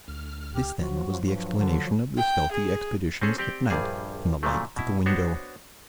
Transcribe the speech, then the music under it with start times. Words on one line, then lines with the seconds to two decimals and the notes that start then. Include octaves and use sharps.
This, then, was the explanation of the stealthy expeditions at night and the light at the window.
0.08 D2 F6
0.54 G4
0.79 F3 F#3 F#4
1.26 G2
1.58 D3
2.18 G5
2.52 G#4
3.21 C4 C#4 G#4 A4
3.38 C4 G4 D5 G5
3.70 A#1 G2 G3 G#4
4.43 A#2 C#3 F3 F#3 A3
4.76 B2 E4
5.06 B3 D4 F#4 C5 C#5